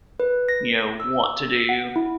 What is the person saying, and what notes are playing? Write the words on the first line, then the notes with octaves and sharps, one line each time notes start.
you know, want to do.
B4
A#6
E6
F#5
E4